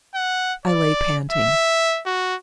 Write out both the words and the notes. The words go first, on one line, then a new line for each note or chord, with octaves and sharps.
I lay panting.
F#5
D5
E5
F#4